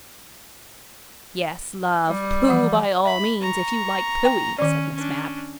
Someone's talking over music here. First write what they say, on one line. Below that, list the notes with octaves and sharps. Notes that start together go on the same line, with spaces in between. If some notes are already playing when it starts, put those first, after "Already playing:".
"Yes, love, pooh by all means, if you like poohing!" said Miss Mapp.
G3
E3 F3 F#5
E5 B5
A#5 C#6
G5
D#3 C#4 D5
C#4 D4